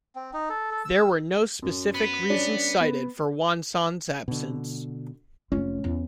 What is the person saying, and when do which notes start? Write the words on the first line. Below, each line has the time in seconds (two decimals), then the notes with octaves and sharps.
There were no specific reasons cited for Juan Son's absence.
0.15 C4
0.33 D#4
0.50 A4
0.71 A4
0.85 E6
1.62 F#2
1.94 B3
2.30 G3 C#4 D4
2.81 B3
4.28 B2 D3
5.52 F1 C#4 F4
5.84 E2